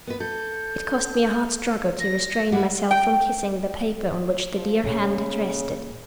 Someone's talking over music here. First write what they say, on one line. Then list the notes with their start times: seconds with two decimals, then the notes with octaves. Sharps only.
It cost me a hard struggle to restrain myself from kissing the paper on which the dear hand had rested.
0.07 B3 B4
0.20 A4 G6
2.00 A#6
2.52 G3 E4 F#5
2.91 G5
4.56 F3
4.84 A#2 C#3